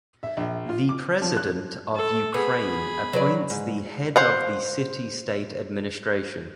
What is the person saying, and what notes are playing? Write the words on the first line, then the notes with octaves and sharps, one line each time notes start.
The President of Ukraine appoints the Head of the City State Administration.
E5
A#1
F4
D6
F3
F#6
A4
B3 G#4 B5
F#3 B4 D5
G#2
C5 F5 F#5